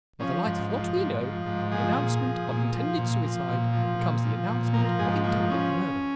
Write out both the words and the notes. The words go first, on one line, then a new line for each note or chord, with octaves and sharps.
By the light of what we know, the announcement of intended suicide becomes the announcement of intended murder.
F3 C#4
G#2
F3
G#2
F3
G#2
F3 G#4
A#2
F3
A#2
F3
A#2
F3
A#2
F3
A#2
F3
A#2
F3 A#4
G#2 G#4
F3 A#3
C#4